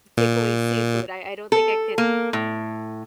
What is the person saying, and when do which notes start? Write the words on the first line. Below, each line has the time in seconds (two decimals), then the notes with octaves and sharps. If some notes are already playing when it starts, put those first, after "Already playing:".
take away seafood, I I don't think I could
0.18 A#2
1.52 A4
1.98 A#3
2.33 A2